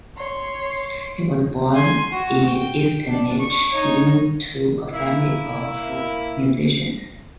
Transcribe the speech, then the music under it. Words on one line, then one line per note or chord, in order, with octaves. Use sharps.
He was born in Eisenach, into a family of musicians.
C#5 C6
G#5 C6
F#4
G5
D4
C#6
D#4 C#5
A#3 E4